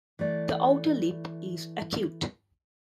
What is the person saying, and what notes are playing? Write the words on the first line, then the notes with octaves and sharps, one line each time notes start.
The outer lip is acute.
E3 A3 D5